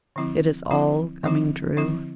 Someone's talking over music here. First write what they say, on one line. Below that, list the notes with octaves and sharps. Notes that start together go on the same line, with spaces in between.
It is all coming true.
D3 F3 C4 E4
D3 F3 C4 E4
D3 F3 C4 E4
D3 F3 C4 E4